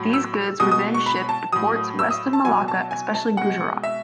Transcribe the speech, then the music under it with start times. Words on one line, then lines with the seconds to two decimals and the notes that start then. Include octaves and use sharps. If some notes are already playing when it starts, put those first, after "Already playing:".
These goods were then shipped to ports west of Malacca especially Gujarat.
Already playing: A2 F#3
0.13 E6
0.60 B2 G#3 D#6
0.71 D#6
0.94 C#6
1.06 B5
1.29 A5
1.52 A2 F#3 D#6
1.99 E6
2.10 D#6
2.33 A5
2.45 B2 F#3 G#5
2.68 A5
2.91 G#5
3.15 A5
3.37 B2 G#3 F#5
3.83 E5